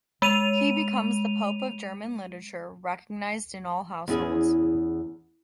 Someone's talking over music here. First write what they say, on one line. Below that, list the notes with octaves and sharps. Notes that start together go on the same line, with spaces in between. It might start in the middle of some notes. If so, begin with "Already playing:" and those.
He becomes the Pope of German Literature, recognized in all households.
G#3 D#7 F7
E2 C#4 E4 G#4